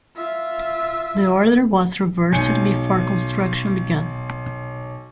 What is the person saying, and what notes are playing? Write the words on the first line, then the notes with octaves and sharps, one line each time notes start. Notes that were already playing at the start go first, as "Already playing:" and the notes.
The order was reversed before construction began.
F4 E5
B1 G#5 G6 C#7